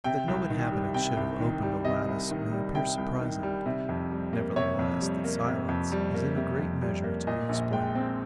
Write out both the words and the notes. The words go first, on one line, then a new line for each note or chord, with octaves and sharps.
That no inhabitant should have opened a lattice may appear surprising. Nevertheless that silence is in a great measure to be explained.
C3 G5
C2
D#3
G3
C3 G5
C2
D#3
G3
C3 D#5
C2
D#3
G3
C3 G5
C2
D#3
G3
C3
F2
G3
A#3
C3 C#5
F2
G3
A#3
C3
F2
G3
A#3
C3
F2
G3
A#3
A#2 D#5
A#1
G#3 G5
C4